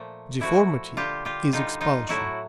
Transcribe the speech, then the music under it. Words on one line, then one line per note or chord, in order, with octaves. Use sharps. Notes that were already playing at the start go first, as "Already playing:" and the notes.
Deformity is expulsion.
Already playing: A#2 F3 A3
A#2 F3 A3 E4 F#4
D3 G3 F4 G4
F4 G4
D3 G3 D#4 F4
D#4 F4
A2 F#3 A3 E4 F#4